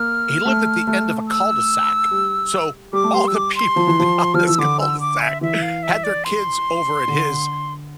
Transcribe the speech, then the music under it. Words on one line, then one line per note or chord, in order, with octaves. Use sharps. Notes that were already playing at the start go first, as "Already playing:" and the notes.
he lived at the end of a cul-de-sac. So, all the people down this cul-de-sac had their kids over at his
Already playing: A#3 F6
A3
A3
E6
G3
G3 D6
A3
G3 C6
E6
D6
C6
F3
E3
F3
F3 F6
E3 E6
D3 D6
E6
D6
E5
E3 E5
F5
E5
D5
C6
D3